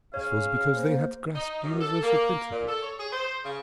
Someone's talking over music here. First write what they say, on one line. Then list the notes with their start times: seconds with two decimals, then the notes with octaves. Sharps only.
This was because they had grasped universal principles.
0.14 C#3 C#5 F5
0.77 A#3 C5
1.35 D#4
1.62 F#2
1.80 A4
2.02 A#3
2.51 A#2
2.67 A4
2.82 C#5
2.98 G#4
3.12 C5
3.44 C#3